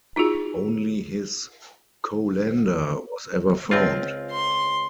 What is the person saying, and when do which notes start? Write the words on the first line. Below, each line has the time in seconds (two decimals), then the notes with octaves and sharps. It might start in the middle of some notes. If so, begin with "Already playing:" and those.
Only his colander was ever found.
0.16 D#4 F4 F#4 G#4
3.71 C#2 C4 F4
4.31 C6